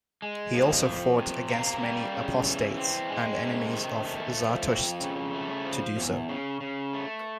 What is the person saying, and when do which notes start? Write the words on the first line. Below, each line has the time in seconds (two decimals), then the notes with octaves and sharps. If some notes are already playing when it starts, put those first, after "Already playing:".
He also fought against many apostates and enemies of Zartosht to do so.
0.22 G#3
0.54 F3
0.85 F2
1.18 C3
1.50 A#3
1.82 G3
2.14 C#3
2.45 E3
2.77 C4
3.09 G#3
3.42 C3
3.73 D#3
4.05 A3
4.37 F3
4.69 F2
5.01 C#3
5.33 A3
5.65 F3
5.97 E2
6.29 C#3
6.60 C#3
6.93 A3